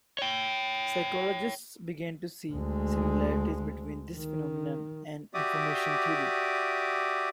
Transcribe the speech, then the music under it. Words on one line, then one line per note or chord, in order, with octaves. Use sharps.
Psychologists began to see similarities between this phenomenon and Information Theory.
C#5 G5
D2 G#3
D#3
F#4 G4 D5 E5 D6 D#6